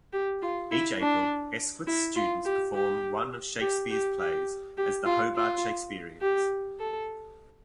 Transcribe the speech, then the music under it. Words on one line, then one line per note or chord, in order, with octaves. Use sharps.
Each April, Esquith's students perform one of Shakespeare's plays as "The Hobart Shakespeareans".
G4
F4
E4
D4
E4
F4
G4
G4
G4
G4
G4
G4
F4
F4
G4
A4